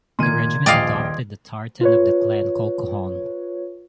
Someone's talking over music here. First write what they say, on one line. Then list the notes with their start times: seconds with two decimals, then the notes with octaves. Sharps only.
The regiment adopted the tartan of the Clan Colquhoun.
0.19 A#2 D#3 C6 G#6 D#7
0.66 D#1 A#1 D5 D#5 F5 G5
1.81 F4 B4 C#5